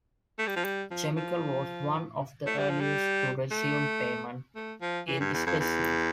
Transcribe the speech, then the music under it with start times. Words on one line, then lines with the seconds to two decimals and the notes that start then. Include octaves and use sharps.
Chemical was one of the earliest to resume payments in specie.
0.38 A3
0.47 G3
0.56 F3
0.65 G3
0.91 F3
1.17 F3
2.46 A3
2.58 G3
2.70 F3
2.81 G3
3.51 A3
4.55 A3
4.81 F3
5.07 E3
5.20 G2
5.33 E2
5.46 F2
5.60 E2